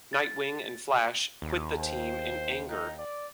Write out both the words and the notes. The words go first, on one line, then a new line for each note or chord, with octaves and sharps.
Nightwing and Flash quit the team in anger.
A6
D#2
C5
D#4
D5